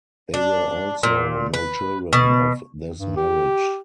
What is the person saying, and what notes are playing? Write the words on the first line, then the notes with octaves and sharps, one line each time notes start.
There were also no children of this marriage.
D4
A#2
B4
B2
G2
G4